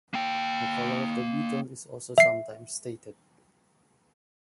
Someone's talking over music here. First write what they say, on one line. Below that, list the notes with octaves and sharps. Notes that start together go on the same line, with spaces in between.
The color of the Beetle is also sometimes stated.
A#3 G5
E5 C7